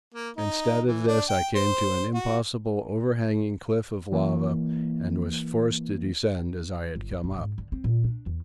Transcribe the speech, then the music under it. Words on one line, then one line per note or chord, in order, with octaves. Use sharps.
Instead of this I came to an impossible overhanging cliff of lava, and was forced to descend as I had come up.
A#3
D#4
E3
D4
G5
C5
F#4
E3 A#3
G1
F3
E1
G#2
D3
C4
A#2
D4
E2